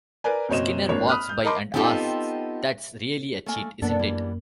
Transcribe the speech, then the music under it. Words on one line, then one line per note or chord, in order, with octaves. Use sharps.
Skinner walks by and asks that's really a cheat, isn't it?
A#4 B4 D5 G#5
F#1 B2 C4 C#5 D#5 E7
G#1 A#3 D4 C#5
B5 D#6 F6 F#6
G6
A#4 D#5 A5 B5 C6 D6
B3 C4 D#4 F4 G4 A4
A3 A#3 G#5
F#2 A#3 B3 D4 A4
E3 G3 B3